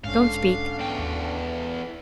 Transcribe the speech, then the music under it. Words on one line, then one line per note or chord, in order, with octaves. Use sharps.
Don't speak.'
B1 G#2 D3 C#4 D4 F5
E2 G5
D#2 B3